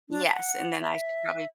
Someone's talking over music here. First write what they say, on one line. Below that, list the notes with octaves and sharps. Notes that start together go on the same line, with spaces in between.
Yes, and then I should probably
D4
F#5
E5